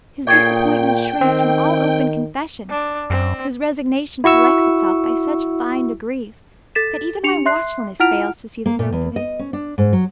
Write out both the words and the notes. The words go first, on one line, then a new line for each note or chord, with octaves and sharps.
His disappointment shrinks from all open confession; his resignation collects itself by such fine degrees that even my watchfulness fails to see the growth of it.
A#2 G#4 A4 C#5 G5
D#3 C4
D4
F#2 C4
E4 F#4 C#6 E6
A4 A6 B6 E7
D4 G4 C#7 F7
E5 C6 F#6 C7
E4 F4 F#5 F6 D7 F7
A#3
A#2
E2
D#5
C#4
D4
G#2
F#3